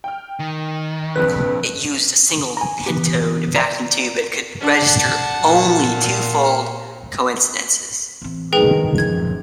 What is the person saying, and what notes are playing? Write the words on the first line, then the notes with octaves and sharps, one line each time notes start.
It used a single pentode vacuum tube and could register only twofold coincidences.
G5 F6
D#3
A#1 F2 C3 B4
G#5 A#5
E3 B3 G4
B4 D5 A#5
D4 F#5 A5
A#2
A1 C4
D3 D#3 G#3 G#4 B4 G5
D#1 F#2 F3 G#6